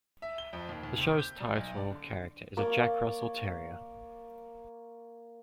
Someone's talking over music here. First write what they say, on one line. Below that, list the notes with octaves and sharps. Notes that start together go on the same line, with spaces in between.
The show's title character is a Jack Russell Terrier.
E5
G7
F2
D#2
D#2
C3
G6
G3
B1
D5
D3
A#3 C#5 D5